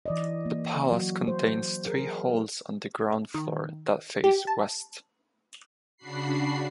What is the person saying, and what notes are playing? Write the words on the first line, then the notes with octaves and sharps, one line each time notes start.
The palace contains three halls on the ground floor that face west.
E3 D5 D#5
A#3
F#3 F#4
C5
G#4 A#4
D#3
G4
A5
C#3 D4 F#4 B5 C7